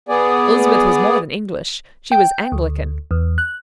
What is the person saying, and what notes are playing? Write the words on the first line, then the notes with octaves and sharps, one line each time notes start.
Elizabeth was more than English--she was Anglican.
B3 G#4 D5
G5
D2
E2
F#6